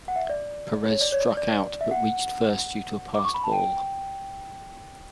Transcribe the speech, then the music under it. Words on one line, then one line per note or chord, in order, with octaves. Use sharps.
Perez struck out but reached first due to a passed ball.
F#5
E5
D5
C#5
D5
C#5
D5
D5
E5
F#5
D6
C#6
B5
A5
G5